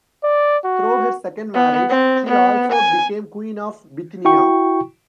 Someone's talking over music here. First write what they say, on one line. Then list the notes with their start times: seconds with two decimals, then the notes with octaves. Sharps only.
Through her second marriage, she also became Queen of Bithynia.
0.24 D5
0.65 F#4
1.54 B3
1.90 C4
2.27 B3
2.72 G#5
4.25 E4 F#4 G5 C#6